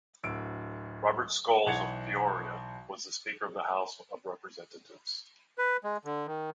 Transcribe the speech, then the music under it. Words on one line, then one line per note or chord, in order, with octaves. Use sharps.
Robert Scholes of Peoria was the Speaker of the House of Representatives.
D1 D2 E6 D7
B1 E3 F#5 G#6 C#7 F7
B4
G#3
D3
D#3